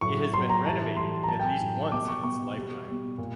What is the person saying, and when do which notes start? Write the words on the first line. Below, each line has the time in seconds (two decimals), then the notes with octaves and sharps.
It has been renovated at least once in its lifetime.
0.01 A2 F#3 C#6
0.33 A2 F#3 C6
0.49 A#5
0.65 A2 E3 G3 A5
0.97 A2 E3 G3 C6
1.23 A#5
1.28 A2 F#3 A5
1.40 G5
1.45 G#5
1.61 A2 F#3
1.92 B2 G3 D6
2.08 C#6
2.23 B2 G3 C#6
2.55 B2 G3
2.87 B2 G3
3.18 A#2